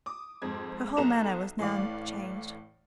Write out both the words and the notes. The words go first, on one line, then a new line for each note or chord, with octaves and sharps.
Her whole manner was now changed.
D6 D#6
F2 G#2 C4 G#6
B1 B3 A4 A#5 E7 F7
A2 E3 D5 F5